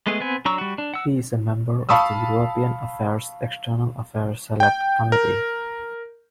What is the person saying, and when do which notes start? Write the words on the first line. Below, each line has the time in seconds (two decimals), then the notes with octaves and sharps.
He is a member of the European Affairs External Affairs Select Committee.
0.07 G#3 A3 B3 G#4
0.20 B3 C4 G#5
0.45 F#3 D4 A#5 C#6 E6
0.58 G3 F#4
0.78 D4
0.94 F#5 E6
1.89 F5 A5 B5 C#6 D#6 E6
4.60 G5 G6
5.12 A#4